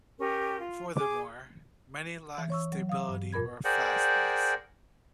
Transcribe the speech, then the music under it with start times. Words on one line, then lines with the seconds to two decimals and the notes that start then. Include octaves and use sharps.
Furthermore, many lacked stability, or fastness.
0.19 C#4 G4 A#4
0.60 F4
0.97 G#4 D6
2.38 E3
2.50 C#5 C#6 E6
2.72 F#3
2.89 F5 D#6
3.08 G2
3.33 F2 A#2 A#4 B5 G#6
3.65 G#4 A#4 C5 D5 F#5 G5